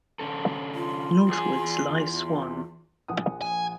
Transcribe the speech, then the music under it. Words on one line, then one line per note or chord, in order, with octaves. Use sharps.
Northwards lies Swann.
D3 C#4 A4
F4
E2 G#4
A#1 F#5 D#6
G#5